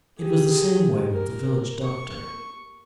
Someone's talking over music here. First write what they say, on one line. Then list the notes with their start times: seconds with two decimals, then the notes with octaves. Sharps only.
It was the same way with the village doctor.
0.19 G4 G#4
1.12 A#4
1.85 C#6